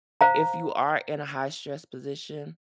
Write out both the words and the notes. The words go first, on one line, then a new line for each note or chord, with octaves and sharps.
if you are in a high stress position,
C5 F5 A#5